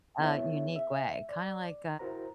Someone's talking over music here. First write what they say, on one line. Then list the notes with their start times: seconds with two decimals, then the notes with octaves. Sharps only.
uh, unique way, kinda like,
0.19 B3 E4 G#4 C#5 E5
0.76 E5
1.29 D5
1.99 E4 F#4 A#4 C5 A#5